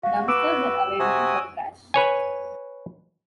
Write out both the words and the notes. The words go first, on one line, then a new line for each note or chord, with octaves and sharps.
Dumpsters are available for trash.
F#4 F5
B4 D6 E6 D7 E7
C3 F#4 G#5 D#6
B4 C#5 G#5